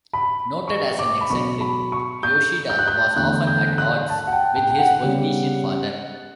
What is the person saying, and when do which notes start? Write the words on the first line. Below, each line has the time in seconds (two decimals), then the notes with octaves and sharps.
Noted as an eccentric, Yoshida was often at odds with his politician father.
0.13 B5
0.68 C#6
0.99 D6
1.21 B5
1.30 B2 F#3 B3 C#6
1.61 B5
1.92 C#6
2.23 G6
2.70 G6
2.79 F#6
2.88 G6
3.16 E2 D3 A3 F#6
3.47 G6
3.78 F#6
4.10 A5
4.27 F#5
4.33 G5
4.56 G5
4.70 G5
4.79 F#5
5.03 C#3 G3 B3